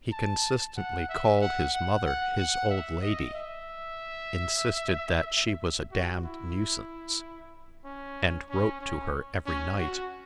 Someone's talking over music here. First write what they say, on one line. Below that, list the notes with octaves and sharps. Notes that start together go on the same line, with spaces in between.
He consistently called his mother his old lady, insisted that she was a damned nuisance--and wrote to her every night.
A5
F#5
E5
F#5
F#5
F#5
F#5
E5
D#5
E5
F#4
E4
C#4
C#4
C#4
C#4
F#4